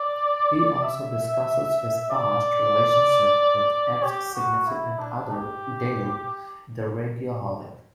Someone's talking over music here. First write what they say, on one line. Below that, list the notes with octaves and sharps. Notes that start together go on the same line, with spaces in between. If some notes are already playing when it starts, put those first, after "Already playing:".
He also discusses his past relationship with ex-significant-other Dale, "the Rageaholic".
Already playing: D5
E5
D5
G4
F#4
E4
D4
G4